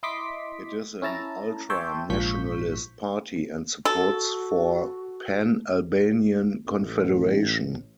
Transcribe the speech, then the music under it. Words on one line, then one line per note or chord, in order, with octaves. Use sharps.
It is an ultra-nationalist party and supports for pan-Albanian confederation.
E4 D#5 C6 D6 B6
C#4 E4 A5 A#5
C#5 E5 G5 A5 C6
A#1 G#2 F3 C#6 G6 B6
F#4 A4
A1